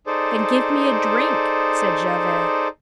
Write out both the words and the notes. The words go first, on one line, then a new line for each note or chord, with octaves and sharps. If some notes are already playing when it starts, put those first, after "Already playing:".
"Then give me a drink," said Javert.
D#4 G#4 A4 C5 D5